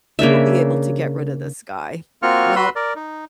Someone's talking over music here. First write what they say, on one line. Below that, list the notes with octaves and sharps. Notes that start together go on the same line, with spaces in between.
we'll be able to get rid of this guy." Well,
C#3 A#3 D4 E5
A#3 C4 F4 F#4 C#6 F6
F#4 B4 B5 C6 E6
A#4 D5
D#4